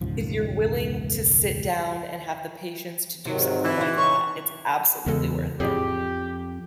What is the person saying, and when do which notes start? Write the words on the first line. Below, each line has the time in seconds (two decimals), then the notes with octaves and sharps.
if you're willing to sit down and have the patience to do something like that, it's absolutely worth it.
0.01 E1 C#2 G#2 F3
3.25 G#2 C3 D#3 F#3
3.64 E3
3.81 E4 C5
3.98 D#4 C#5 C#6
5.06 E2 C#3 G#3 A4
5.60 F2 A2 G4 G#4